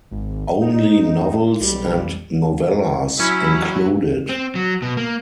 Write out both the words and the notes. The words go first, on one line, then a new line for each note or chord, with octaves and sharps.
Only novels and novellas included.
G#1
D#4
B1 G3
F#3 C#4 E4
C4
F#3
B2
A#3